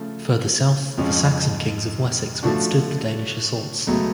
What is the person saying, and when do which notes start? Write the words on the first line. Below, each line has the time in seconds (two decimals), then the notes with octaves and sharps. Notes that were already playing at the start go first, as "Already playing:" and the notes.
Further south, the Saxon kings of Wessex withstood the Danish assaults.
Already playing: C#3 F3 A3 C#4
0.97 F2 F3 G#3 C#4
2.43 D3 F3 A3 D4 F#4
3.87 C#2 B2 F#3 A3